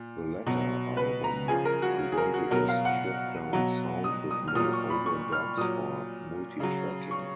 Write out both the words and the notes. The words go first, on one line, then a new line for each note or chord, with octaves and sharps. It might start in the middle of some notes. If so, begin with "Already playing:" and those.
The latter album presented a stripped down sound with no overdubs or multitracking.
Already playing: A#2
B2 F#3
B4
A#5
C#3 F3 G#5
A#4
F#4
G#4
A#4
F#4
B2 F#3 A#4
F5
F#5
B2 F#3
D#6
D#6
F6
A#2 F#3 D#6
C#6
B5
C#6
F6
A#2 F#3 D#6
C#3 F#3
C#6